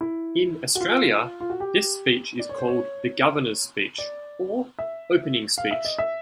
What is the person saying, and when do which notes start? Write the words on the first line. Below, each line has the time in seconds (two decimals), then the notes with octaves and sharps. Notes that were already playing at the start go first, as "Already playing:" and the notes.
In Australia, this speech is called the "Governor's speech" or "opening speech".
0.01 E4
0.75 F#4
0.81 F4
1.40 F4
1.50 F#4
1.60 G4
2.39 D5
2.49 C#5
2.58 C5
2.68 C#5
3.98 D5
4.79 E5
5.58 F5
5.71 E5
5.85 D#5
5.98 E5